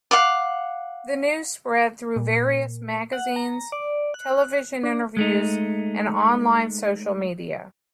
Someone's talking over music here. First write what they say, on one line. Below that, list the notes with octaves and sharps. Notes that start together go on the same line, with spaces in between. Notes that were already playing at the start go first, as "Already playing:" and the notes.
The news spread through various magazines, television interviews and online social media.
F5 F#5 D6
A#2
F#5
A#5
D5
F#6
D4
G#3 A3 D#4